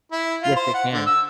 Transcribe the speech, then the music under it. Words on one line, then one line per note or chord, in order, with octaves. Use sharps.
Yes they can.
E4
F4
C5
F#5
D3
E6